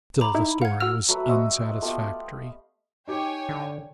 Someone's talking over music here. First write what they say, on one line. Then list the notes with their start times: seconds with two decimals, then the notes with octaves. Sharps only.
Still the story was unsatisfactory.
0.21 A#5 B5 D6
0.35 D#4 E4
0.62 F5 F#5 G#6
0.80 F#4 E6 F6
1.08 F#3 A3 B4 E5
1.29 F#4 C5 D#5 E5
1.82 A3 B3 F4 G4
3.07 D#4 G4 C#5 G5 G#5
3.49 D3